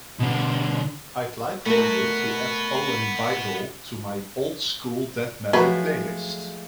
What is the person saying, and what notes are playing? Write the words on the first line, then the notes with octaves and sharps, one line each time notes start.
I'd like for you to add Owen Biddle to my Old School Death Metal playlist.
B2 D3
A3 B3 F#4 A#4
F3 F#3 G#3 A3 B4